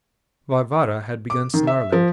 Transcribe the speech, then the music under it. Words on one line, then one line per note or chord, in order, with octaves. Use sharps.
Varvara had begun snarling.
D6
D#3
E5
F3